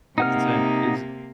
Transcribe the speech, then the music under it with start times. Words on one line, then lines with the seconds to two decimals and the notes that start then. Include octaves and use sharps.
That's insane. Is i
0.18 C3 A#3 D#4 F#5 F6